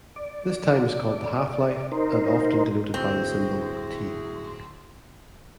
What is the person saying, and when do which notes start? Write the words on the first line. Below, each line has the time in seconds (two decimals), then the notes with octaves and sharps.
This time is called the "half-life", and often denoted by the symbol "t".
0.16 D5
1.92 D#4 A#4 C5
2.94 D1 G1 E2 C4 E4 F#4 G#4